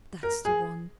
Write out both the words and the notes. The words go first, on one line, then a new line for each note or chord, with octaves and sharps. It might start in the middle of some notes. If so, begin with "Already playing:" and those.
That's the one.
A#4
G#4